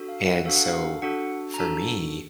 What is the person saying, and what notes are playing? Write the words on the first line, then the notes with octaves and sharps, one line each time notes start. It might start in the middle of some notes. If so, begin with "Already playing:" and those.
and so, for me,
Already playing: D4 F#4 A4
F5
F#5
D4 F#4 A4 F5
F#5
F5
D4 F#4 A4 F#5
A#5
D4 F#4 A4 A5